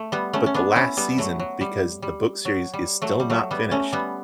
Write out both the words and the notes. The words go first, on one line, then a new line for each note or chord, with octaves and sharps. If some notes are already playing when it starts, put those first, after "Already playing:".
but the last season, because the book series is still not finished,
Already playing: A3
G3 B3
A3 C#4
C#4
B3 D4
C#4 E4
G3 B3
F#3 A3
F#3
G3
G3
F#3
G3
F#3 A3
G3
F#3 A3
G3 B3
A3 C#4
G3 B3